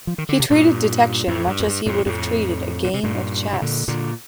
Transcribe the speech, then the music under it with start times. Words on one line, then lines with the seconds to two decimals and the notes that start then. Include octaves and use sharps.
He treated detection much as he would have treated a game of chess.
0.07 F3
0.18 D#3
0.29 D3
0.40 C3
0.50 G2 A#2
1.28 F2 A2
1.47 G2
1.60 F2
1.67 G2
1.86 F2 A2
2.06 F2 A2
2.84 A#2
2.94 C3
3.03 G2 A#2
3.53 C3
3.62 A#2 D3
3.88 A#2 D3